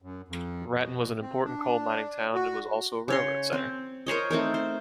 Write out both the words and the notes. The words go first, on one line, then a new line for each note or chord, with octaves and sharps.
Raton was an important coal-mining town, and was also a railroad center.
F#2
F2
B2
C4
D4
F#4
C#3 C#5 C6
C4
A#4 C5 C#5 D#5
A3 C4 D#4 A#4
C5